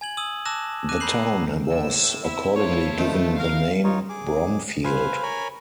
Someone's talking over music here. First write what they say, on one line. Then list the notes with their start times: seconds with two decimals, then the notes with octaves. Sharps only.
The town was accordingly given the name "Bromfield".
0.01 G#5 G#6 F#7
0.17 D#6 E6 D#7 F#7
0.45 A5 D6 E6 F#6 A#6 E7
0.89 D6 F#6 A#6 D#7 E7
1.00 A#5 B5 G6 C7 F#7
1.69 A2 E6
2.24 C4 E4
2.56 E4 F4 C5 C#5 A5
2.98 F2 D#3 A3
3.39 A3 E4 A#4 F5
3.84 D#4 F4 C#5
4.09 G#4 D6
4.84 B4 C5 F5 G#5
5.23 A#4 C#5 G#5 B5